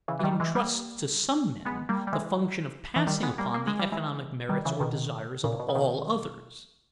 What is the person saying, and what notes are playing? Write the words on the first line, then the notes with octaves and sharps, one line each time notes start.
It intrusts to some men the function of passing upon the economic merits or desires of all others.
C#3 E3
E3
D#3 G3
E3 G#3
G3 A#3
G#3 B3
G3 A#3
G3
E3 G#3
E3
D#3 G3
G#3 B3
G3 A#3
A#3
G#3
G3
E3 G#3
D#3 G3
C#3 E3
B2 D#3
A#2 C#3
B2
C#3
B2 D#3